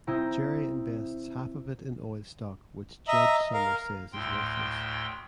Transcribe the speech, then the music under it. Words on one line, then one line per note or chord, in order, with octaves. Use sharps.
Jerry invests half of it in oil stock which Judge Somers says is worthless.
C3 E4 G5 A#5 D#6 G6
D#5 E5 A#5
A#4 F5
D2 A2 G5 C6